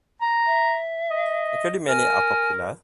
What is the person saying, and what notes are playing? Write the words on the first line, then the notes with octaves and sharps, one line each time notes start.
Including many are popular.
A#5
E5
D#5
A#4 G#5